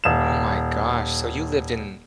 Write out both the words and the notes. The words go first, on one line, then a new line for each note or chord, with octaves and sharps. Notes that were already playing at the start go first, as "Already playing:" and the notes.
Oh my gosh. So you lived in m
D#1 E7